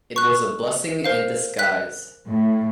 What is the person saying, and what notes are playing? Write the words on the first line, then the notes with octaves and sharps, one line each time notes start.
It was a blessing in disguise.
C#6 F#6
A#4 C5 F5
F#6 B6
A2